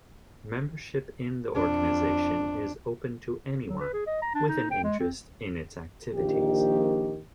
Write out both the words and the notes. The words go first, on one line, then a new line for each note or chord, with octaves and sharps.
Membership in the organization is open to anyone with an interest in its activities.
F2 D4
F#3
B4
G#4
D#5
A#5
D4
D#4
G5
G#3
C4
A#1 D#3 G4